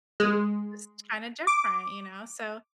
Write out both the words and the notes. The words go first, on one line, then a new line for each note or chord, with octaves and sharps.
it's kind of different, you know, so
G#3
D6